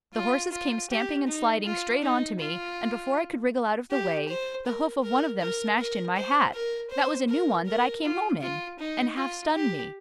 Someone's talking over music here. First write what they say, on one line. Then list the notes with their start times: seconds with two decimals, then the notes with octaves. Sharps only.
The horses came stamping and sliding straight on to me, and, before I could wriggle out of the way, the hoof of one of them smashed in my hat--that was a new one that I came home in--and half-stunned me.
0.14 F4
0.52 F4
0.90 G4
1.27 D#4
1.65 F4
2.02 D#4
2.40 F4
3.91 G4
4.28 C5
4.66 A#4
5.03 A#4
5.41 A#4
5.79 A#4
6.16 C5
6.53 A#4
6.91 C5
7.29 A#4
7.66 A#4
8.04 F4
8.41 F4
8.79 D#4
9.16 F4
9.54 G4